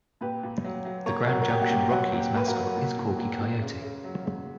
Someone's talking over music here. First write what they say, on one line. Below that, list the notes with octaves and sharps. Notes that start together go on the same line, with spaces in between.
The Grand Junction Rockies mascot is Corky Coyote.
A#2 G4 B4
A#2
F#3
F#3
A#3 A#4 C#5
F#3 F#4 A#4
A#4
A#2 G4
F#4
A#2 G4
F#3 F#4
A#2
G4
A#3 B4
F#4 A#4
F#3
A#2
A#2
A#2
A#2
C#3
C#3
F#3
C#3